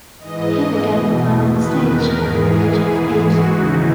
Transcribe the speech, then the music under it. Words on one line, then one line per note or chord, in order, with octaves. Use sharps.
He began performing on stage at the age of eight.
G#2 E3 D#5
E2 B2
E2 D#3 B4
A#4
G#2 E3 G#4
G#2 E3
F#4
D#2 C#3 E3 D#4